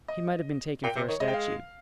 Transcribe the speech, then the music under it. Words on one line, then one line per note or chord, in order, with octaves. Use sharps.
He might have been taken for a statue.
D#5
A#2 G5
C3 C5
D#3 C#5
G#3 D#5
G5
F5